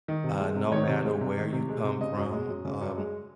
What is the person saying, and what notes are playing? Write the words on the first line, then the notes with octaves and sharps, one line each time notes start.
Uh, no matter where you come from, um,
D#3
C3
G#3
C3
D#3 C#5
C3
G#3
C3
D#3
C3
G#3
C3
C#3 D#5
F#2
G#3
F#2
C#3
F#2
G#3